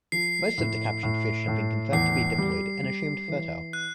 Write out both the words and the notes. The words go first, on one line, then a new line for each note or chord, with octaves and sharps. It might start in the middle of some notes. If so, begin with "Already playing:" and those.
Most of the captured fish have been confirmed to be diploid and assumed fertile.
F3 C7
A2
A2
A2
E2 C7
G3
G3
E3
F#6